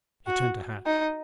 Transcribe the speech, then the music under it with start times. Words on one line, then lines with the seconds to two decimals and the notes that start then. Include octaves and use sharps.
He turned to Hatch.
0.27 F#4
0.86 D#4